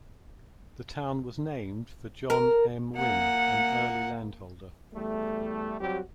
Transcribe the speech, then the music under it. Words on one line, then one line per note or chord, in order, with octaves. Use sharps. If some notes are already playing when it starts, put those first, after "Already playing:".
The town was named for John M. Winn, an early landholder.
A#4
A#3 F#5
E2 G3 A3
F#3 G3 C4 F#4 G4